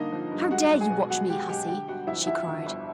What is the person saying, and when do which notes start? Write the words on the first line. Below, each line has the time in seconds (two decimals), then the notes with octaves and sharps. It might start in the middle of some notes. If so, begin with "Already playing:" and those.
"How dare you watch me, hussy?" she cried.
Already playing: G2 D3 A#3 D4 D#4 D#5
0.12 F3
0.31 G2
0.51 G#3 F#4 F#5
0.71 B1
0.80 G#4 G#5
0.90 B2
1.10 B1 F#4 F#5
1.29 G#3 G4 G5
1.49 B1 G4 G5
1.68 D3 G4 G5
1.88 G1 F#4 F#5
2.07 F2 E4 E5
2.26 F3 E4 E5
2.47 D3
2.66 G1